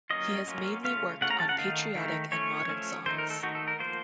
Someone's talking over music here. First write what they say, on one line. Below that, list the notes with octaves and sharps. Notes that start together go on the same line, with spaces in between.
He has mainly worked on patriotic and modern songs.
F#3 A#3 C#4 F4 D#5
F#3 A#3 C#4 F4
C#3 A3 C#4 F4 F5
C#3 A3 C#4 F4 F#5
A#5
A5
F#5
D#3 A3 D#4 F5
D#3 A3 D#4
F3 A3 C#4 C#5
F3 A3 C#4
D#3 A3 D#4 C5
A#4
A4
D#3 A3 D#4 F#4
A4
A#4
F3 A#3 F4 C5